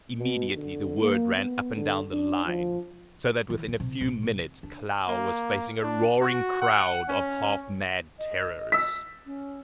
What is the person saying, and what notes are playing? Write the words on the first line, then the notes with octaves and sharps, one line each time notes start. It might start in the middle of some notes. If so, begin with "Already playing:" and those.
Immediately the word ran up and down the line, so that within a few minutes Klow was facing a roaring crowd of half-mad terrors.
B2
D3
A#3
B3
D3
D4
F3
E3
C4
C3
A#1
C3
C4
D4
A#3
D4
F#4
F#5
C#4
D#5
E6 B6
C#4